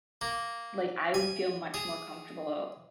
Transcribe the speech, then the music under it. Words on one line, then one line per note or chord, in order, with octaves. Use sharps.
like, I would feel much more comfortable
A#3
G#5
G#4